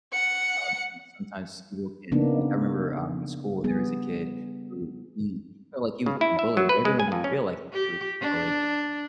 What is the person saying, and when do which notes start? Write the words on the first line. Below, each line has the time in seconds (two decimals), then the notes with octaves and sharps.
um, you know, sometimes people can like, I remember, um, in school there is a kid who he felt, like, he was getting bullied, but everyone didn't feel, like, they were getting bullied,
0.13 F#5 C#7
2.12 C#3 A#3 B3 D4 D#4
3.64 G3 B3 G#4
6.06 C#3
6.21 E4
6.39 E5
6.57 F#3
6.69 B4
6.85 G#3
7.00 G#5
7.12 F2
7.24 C#4
7.73 G4
8.21 D4